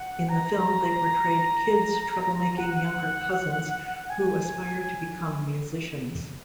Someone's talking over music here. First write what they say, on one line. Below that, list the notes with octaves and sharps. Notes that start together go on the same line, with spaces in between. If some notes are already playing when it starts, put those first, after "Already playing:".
In the film, they portrayed Kid's trouble-making younger cousins who aspire to become musicians.
Already playing: F#5
A#5
F#5
G#5